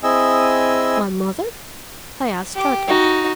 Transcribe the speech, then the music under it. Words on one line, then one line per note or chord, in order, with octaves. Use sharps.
"My mother?" I asked, startled.
C4 E4 G#4 D#5 G#5 E6
G4 D6
D#4 F#4